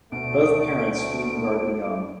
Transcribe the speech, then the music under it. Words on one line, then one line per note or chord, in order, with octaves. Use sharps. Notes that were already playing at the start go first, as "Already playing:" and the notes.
Both parents feed and guard the young.
D2 B2 A3 D7